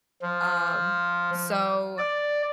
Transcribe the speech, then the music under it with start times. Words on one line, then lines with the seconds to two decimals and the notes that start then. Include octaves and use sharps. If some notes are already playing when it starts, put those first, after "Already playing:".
Um, so,
0.22 F3
1.98 D5